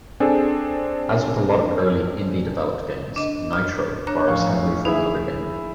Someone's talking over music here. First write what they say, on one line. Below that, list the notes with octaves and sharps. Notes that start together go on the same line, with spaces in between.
As with a lot of early, indie-developed games, "Nitro" borrows heavily from another game.
C4 D4 G#4 A4
D4 D#5
F6
D4 C#5 A#5 F#6
A1 F3 F5 C#6
D#4 E4 G#4 E5